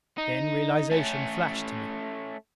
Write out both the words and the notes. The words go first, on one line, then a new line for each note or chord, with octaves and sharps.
Then realization flashed to me.
D#4
A3 C#4